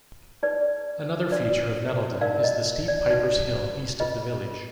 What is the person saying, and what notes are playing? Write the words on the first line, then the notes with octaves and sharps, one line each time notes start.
Another feature of Nettleden is the steep Pipers Hill east of the village.
D#4 G#4 B4 D5
D4 F#4 B4 D5
D#4 A#4 D5 F5
D#5
D5
D#4 F#4 B4 D5
F4 G#4 B4 D#5